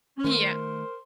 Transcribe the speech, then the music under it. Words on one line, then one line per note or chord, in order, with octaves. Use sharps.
Mm. Yeah,
D#3 A3 A#4 C5